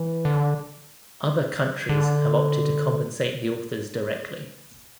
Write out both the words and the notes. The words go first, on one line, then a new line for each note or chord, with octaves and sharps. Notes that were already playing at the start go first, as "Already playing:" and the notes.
Other countries have opted to compensate the authors directly.
Already playing: E3
D3
D3